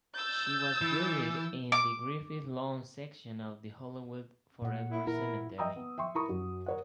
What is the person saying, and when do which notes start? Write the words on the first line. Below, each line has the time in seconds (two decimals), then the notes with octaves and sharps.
She was buried in the Griffith Lawn section of the Hollywood Forever Cemetery.
0.14 E6 G6 A6
0.81 E3
1.72 D6
4.62 A#2 F#5
4.92 E4
5.07 E4 A#4
5.58 D#5 E5 G5 A#5 D#6 E6
5.76 B3
5.98 E5 G5 C6 C#6
6.15 E4 A#4 A5 A#5 C#6 D#6
6.29 F#2 F#3
6.66 A#4 C#5 F#5